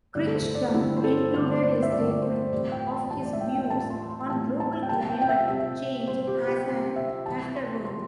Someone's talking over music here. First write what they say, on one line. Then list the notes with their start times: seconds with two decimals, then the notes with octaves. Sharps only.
Crichton included a statement of his views on global climate change as an afterword.
0.15 G2 D3 A3 C4 D5
0.27 A4
0.35 C5
0.55 D5
0.74 G2 D3 A3 C4 E4
0.97 C5
1.04 A4
1.34 G2 D3 A3 C4 C5
1.63 D5
1.83 E5
1.92 G2 D3 A3 C4 D5
2.11 D5
2.22 C5
2.52 A2 E3 G3 C4 D5
2.72 G5
2.91 A5
3.11 A2 E3 G3 C4 A5
3.25 D5
3.33 E5
3.41 G5
3.55 G5
3.70 A2 E3 G3 C4 A5
3.81 A5
3.90 C6
4.10 C6
4.30 A2 E3 G3 C4 A5
4.60 A5
4.83 G5
4.89 C3 G3 C4 A5
5.05 A5
5.10 G5
5.21 G5
5.29 E5
5.48 C3 G3 C4 E5
6.07 C3 G3 C4 C5
6.27 G4
6.47 G4
6.67 C3 G3 C4 C5
6.96 E5
7.26 C3 E3 G3 A5
7.56 C6
7.85 C3 E3 G3 C6